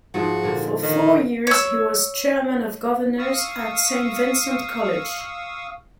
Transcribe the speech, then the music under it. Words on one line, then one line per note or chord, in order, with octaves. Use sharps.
For four years he was chairman of governors at Saint Vincent College.
G#2 F3 F#4
A#2 D3
D#3
C#5 E6
F5 C#6 D#6 E6